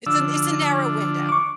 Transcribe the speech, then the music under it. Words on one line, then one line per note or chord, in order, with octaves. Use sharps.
It's a it's a narrow window.
D3 F3 D4 E6
C#6 D6